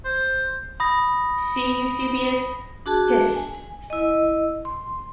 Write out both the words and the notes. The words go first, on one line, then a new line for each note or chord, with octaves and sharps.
See Eusebius, Hist.
C5
B5 D#6 A#6
D4 F#4 G#4 A5
G#5
E4 D#5
C6